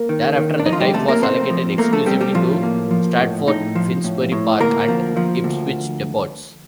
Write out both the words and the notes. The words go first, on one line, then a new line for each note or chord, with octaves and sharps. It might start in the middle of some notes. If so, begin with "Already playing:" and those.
Thereafter, the type was allocated exclusively to Stratford, Finsbury Park and Ipswich depots.
Already playing: A#3 A#4
D#3
D#3
D4
F2 D#4
F4
G3 G4
C3 A3 A4
A#3 A#4
A3 C4 C5
F3
A3 A#3 A#4
A3 A4
G3 C4 G4
G3 G4
A2 F3 F4
A#3
F3
A2
A2 D#4
F3
A2
A2
D2 A#3 A#4
F3
F3
D2